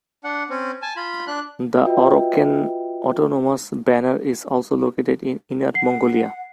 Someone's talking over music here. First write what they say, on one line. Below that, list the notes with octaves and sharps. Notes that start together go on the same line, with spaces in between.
The Oroqen Autonomous Banner is also located in Inner Mongolia.
D4 F#5
C4 C#4
G#5 A5
F4 B5
D4 F#6
F4 F#4 B4 D#5 E5 G5
F#5 C7